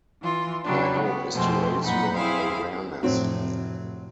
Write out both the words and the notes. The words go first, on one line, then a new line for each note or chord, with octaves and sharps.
My hope is to raise your awareness.
E3 F4
C#3 F#3 G3 D4
B3
F2 B2 G#3 A3 C4
F#2 A#2 D#4 F#5 B5
C4 E4 G#4 F5
F1 A2 F#3 C4